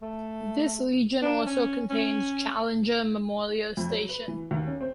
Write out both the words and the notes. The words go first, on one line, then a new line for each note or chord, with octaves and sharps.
This region also contains Challenger Memorial Station.
A3
D4
C#4
C#4
F2
F#3
B4
E3
D#2
C#4
C4